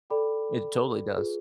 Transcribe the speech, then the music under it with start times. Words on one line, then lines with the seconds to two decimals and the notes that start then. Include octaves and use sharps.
It totally does.
0.10 A4 D5 G5 B5 D6
1.17 F4 G#4 B4